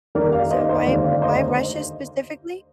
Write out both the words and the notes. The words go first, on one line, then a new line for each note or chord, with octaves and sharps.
So why why Russia specifically?
D#2 D#3 G3 A#4 D5
D5 F5
C5 D#5
C5 D#5
D#2 D3 A3 D5 F5
D5 F5
C5 D#5